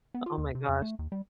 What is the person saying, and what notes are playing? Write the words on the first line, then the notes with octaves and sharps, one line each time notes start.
Oh my gosh.
B3
F4
D#2
C3
F2
A3
D#2
G3